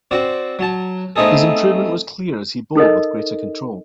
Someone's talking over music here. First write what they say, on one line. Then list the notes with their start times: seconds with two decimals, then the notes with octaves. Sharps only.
His improvement was clear as he bowled with greater control.
0.11 C4 F#4 D5
0.59 F#3 A5
1.16 A3 B3 C4 D#4 G#4 A4
2.76 D#4 A4 A#4 D#5